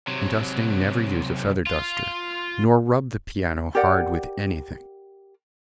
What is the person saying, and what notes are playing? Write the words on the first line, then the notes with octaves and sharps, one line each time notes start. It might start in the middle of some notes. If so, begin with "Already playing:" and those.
In dusting never use a feather duster, nor rub the piano hard with anything.
C3 F#3
F4
G4 A#4 D5 F#5